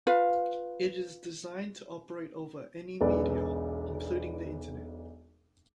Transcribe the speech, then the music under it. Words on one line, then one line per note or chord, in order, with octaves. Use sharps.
It is designed to operate over any media, including the Internet.
F4 B4 F5
E1 B1 B3 D5